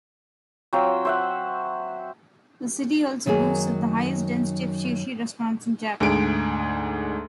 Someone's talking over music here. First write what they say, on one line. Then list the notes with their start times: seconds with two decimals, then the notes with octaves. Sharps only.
The city also boasts of the highest density of sushi restaurants in Japan.
0.73 F#3 C4 F4 G5
1.05 C5 E5 F#5
3.26 F#2 D#3 F#3 A#3 G#4
6.00 D2 G#2 D4 G#4 D7